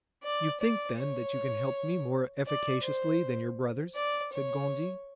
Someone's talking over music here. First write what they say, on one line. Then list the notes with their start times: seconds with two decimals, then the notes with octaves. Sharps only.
"You think, then, that you can help me more efficaciously than your brothers?" said Gondy.
0.23 D5
0.60 D5
0.97 C#5
2.46 D5
2.83 C5
3.95 D5
4.32 C#5